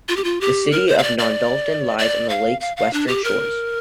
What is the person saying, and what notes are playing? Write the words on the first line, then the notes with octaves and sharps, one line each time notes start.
The city of Nondalton lies on the lake's western shores.
F4
G4
F4
G4
A#4
C5
F5
D5
D5
D5
F5
F5
F5
D4
G4
A#4